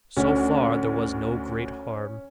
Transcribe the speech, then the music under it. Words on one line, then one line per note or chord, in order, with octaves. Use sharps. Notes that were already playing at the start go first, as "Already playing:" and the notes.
So far there was no great harm.
D2 C#4